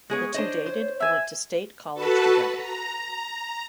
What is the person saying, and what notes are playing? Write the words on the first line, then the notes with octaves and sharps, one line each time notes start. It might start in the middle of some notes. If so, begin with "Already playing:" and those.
The two dated and went to State college together.
G#3 B3 G#4 C#5
D4 C5 C#5 D#5
C5
E5 G#5
F#4 A4 B4 A5 B5
A#5